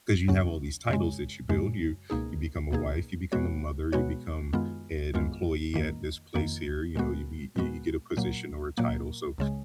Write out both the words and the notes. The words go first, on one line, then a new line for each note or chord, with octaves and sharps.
'cause you have all these titles that you build, you you become a wife, you become a mother, you become an employee at this place here, you know, you be you you get a position or a title, so
D#2 C#3 F#3 C#4
F#2 C#3 G#3
F#2 C#3 G#3
C#2 B2 A#3 D#4 G#4
C#2 B2 A#3 D#4 G#4
B2 G#3 B3 F#4 C#5
B2 G#3 B3 F#4 C#5
F#2 D#3 G#3 B3 F4
F#2 D#3 G#3 B3 F4
F2 D#3 A#3
F2 D#3 A#3
A#2 G#3 B3 F#4
A#2 G#3 B3 F#4
A#2 F#3 A#3
A#2 F#3 A#3
C#2 C#3 G#3